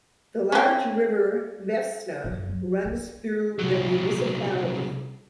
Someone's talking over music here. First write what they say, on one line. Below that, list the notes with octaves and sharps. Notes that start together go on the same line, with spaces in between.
The large river Vefsna runs through the municipality.
C4 C#4
F#2
F#3
D4
C2 F#3